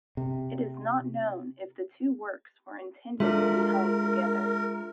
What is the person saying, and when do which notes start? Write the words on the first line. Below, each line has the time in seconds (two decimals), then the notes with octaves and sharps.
It is not known if the two works were intended to be hung together.
0.17 C3
3.20 G#3 D4 F4 A4 A#4 E5